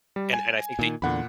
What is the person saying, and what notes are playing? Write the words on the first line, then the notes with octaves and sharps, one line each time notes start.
and and I think they
G3
G#5
A#2 D#3
E2 A#2 D3 F#5 B5